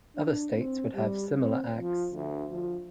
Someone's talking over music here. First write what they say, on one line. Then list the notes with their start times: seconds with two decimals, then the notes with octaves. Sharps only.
Other states would have similar Acts.
0.16 D4
0.55 C4
0.95 G3
1.36 C4
1.79 F3
2.13 D2
2.52 F3